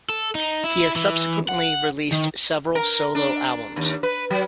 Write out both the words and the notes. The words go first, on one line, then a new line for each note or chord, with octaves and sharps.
He has subsequently released several solo albums.
A4
D#4
E4
E3
F#5
D#3
A#4
D4
D#2
B4
F#3